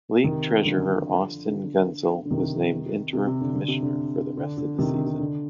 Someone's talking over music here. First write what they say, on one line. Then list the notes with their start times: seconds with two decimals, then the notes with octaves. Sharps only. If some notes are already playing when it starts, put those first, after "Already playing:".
League Treasurer Austin Gunsel was named interim commissioner for the rest of the season.
0.24 C3 D#3
0.65 D3 F3
1.48 D3
2.25 D3
2.30 C3 D#3
3.13 C3
3.27 C3
3.41 D3
3.54 D3
3.68 C3
3.82 D3
4.37 D3
4.57 D3
4.78 C3 D#3
4.92 D3
5.06 C3
5.19 D3